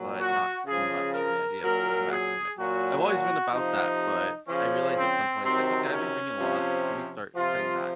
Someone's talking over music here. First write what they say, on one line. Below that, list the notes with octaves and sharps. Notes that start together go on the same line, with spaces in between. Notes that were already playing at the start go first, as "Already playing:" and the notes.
but not too much and the idea of pulling back from it. I've always been about that, but I realized at some point, it's like, "Okay, I've been drinking a lot. Let me start cutting back."
Already playing: A#2 F#3
F#4
C#3 F3 G#4
A#4
A#2 F#3 A#4
G#4
A#2 F#3 F#4
F#4
C3 F3 D#4
C#3 F3 C#4
C4
C3 D#3 F#3 C4
C#4
C3 F3
C3 F3 F4